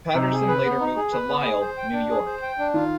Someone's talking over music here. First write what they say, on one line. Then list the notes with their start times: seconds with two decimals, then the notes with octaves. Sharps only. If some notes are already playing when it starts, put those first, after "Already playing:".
Paterson later moved to Lisle, New York.
0.15 C3 D#4
0.32 G#4
0.48 B4
0.64 B3
0.80 D#4
0.96 G#4
1.13 B4
1.29 B3
1.45 G#4
1.61 C5
1.77 G5
1.93 D4
2.10 G#4
2.26 C5
2.42 G5
2.59 D4
2.74 D#3 F4